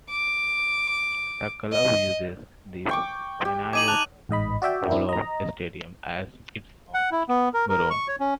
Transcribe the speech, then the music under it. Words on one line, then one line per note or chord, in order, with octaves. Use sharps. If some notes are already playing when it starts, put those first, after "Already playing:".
The club uses the Panayot Volov Stadium as its home ground.
D6
D#5
G5 C#6 D6
G4
D#4 G#5 D6 D#7 F#7
A5 F#6 F7
A1 G#2 D#5 B5
F#4 D5 E5 G5
C4 D4 E4 A#4
D#5 A#5
F#5
E4
B3
A#4
A#4
C#6
C#5
C#4